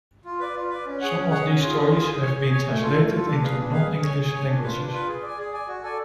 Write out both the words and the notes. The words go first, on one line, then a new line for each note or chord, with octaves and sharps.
Some of these stories have been translated into non-English languages.
F4
B4 D5
F4
B4 D5
C#4
G#4 C#5 F#5
C#4
G#4 C#5 F#5
C#4
F4 G#4
C#4
F4 G#4
G#4
C#5 G#5
G#4
C#5 G#5
A3
F4 A4
A3
F4 A4
D4
G#4 B4 F5
D4
G#4 B4 F5
G#4
C#5 G#5
G#4
C#5 G#5
D4
F4 B4
D4
F4 B4
G#4
D5 G#5
G#4
D5 G#5
F#4
A4 D5 G#5